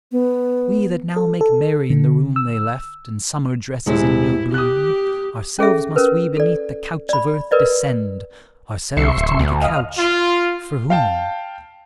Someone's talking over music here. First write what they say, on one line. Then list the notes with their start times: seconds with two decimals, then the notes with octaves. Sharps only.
And we, that now make merry in the Room They left, and Summer dresses in new Bloom, Ourselves must we beneath the Couch of Earth Descend, ourselves to make a Couch--for whom?
0.12 B3
1.16 A4
1.41 A4
1.90 D3
2.36 E6
3.86 D#1 G#3 E4
4.54 G4 D#6 F#6
5.59 C#4 G#4 A4 E5
5.96 C#4 A#4 B4
6.37 A4 D5
7.09 D5 B5
7.51 A#4 B4 D5 D#5
8.97 C2 E5 C6 C#6
9.17 D1
9.39 D2
9.62 D#5 F5
9.97 F4
10.90 F5 G5 A5